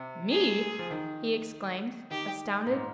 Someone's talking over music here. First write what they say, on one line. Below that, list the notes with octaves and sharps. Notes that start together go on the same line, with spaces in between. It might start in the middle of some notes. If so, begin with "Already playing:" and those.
"Me!" he exclaimed, astounded.
Already playing: C3
G#4
F3
D#3
D#3 G4
G#2
A#2